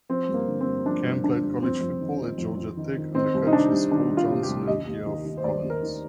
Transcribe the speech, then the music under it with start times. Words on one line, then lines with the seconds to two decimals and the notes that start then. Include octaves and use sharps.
Camp played college football at Georgia Tech under coaches Paul Johnson and Geoff Collins.
0.09 F3 C4
0.29 G2
0.34 A#3
0.47 D3
0.61 C4
0.67 G2
0.85 F3 D4
1.04 G2
1.24 D3 D4
1.43 G2
1.62 F2 C4
1.81 F2
2.01 D#3
2.19 D#3
2.38 F2
2.57 F2
2.77 D#3
2.97 D#3
3.14 D#3 C4
3.35 C2
3.47 D#4
3.53 C3 D4
3.72 C2
3.91 D#3 D4
4.10 C2
4.17 F4
4.30 C3
4.43 G4
4.48 C2
4.67 D#2 D#5
4.87 D#2
5.06 D#3
5.26 D#3
5.37 C5
5.44 D#2 D5
5.64 D#2
5.70 A#4
5.83 D#3